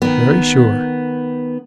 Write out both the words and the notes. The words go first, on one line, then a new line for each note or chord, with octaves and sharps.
"Very sure!"
D#3 B3